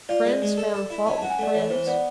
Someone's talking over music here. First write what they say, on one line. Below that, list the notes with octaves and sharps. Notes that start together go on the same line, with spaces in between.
Friends found fault with friends.
F4 D5
G#3
G#3
A4
A4
E4
C#4 D#5
F#4 A5
G#5
A3 D5
E3 C#5
E3 C5
B3 D5